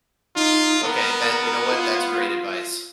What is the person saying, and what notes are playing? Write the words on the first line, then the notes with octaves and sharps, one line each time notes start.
Okay, that you know what, that's great advice.
D#4 F4
B3 A#4
F4